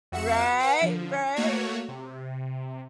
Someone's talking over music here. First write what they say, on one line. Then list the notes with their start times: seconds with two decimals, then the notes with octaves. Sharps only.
Right, right.
0.12 F2 F#4 E5 F#5 C#7 E7
0.60 B4 F#5
0.81 D3 F3
1.36 A3 A#3 F#4 C#5
1.88 C3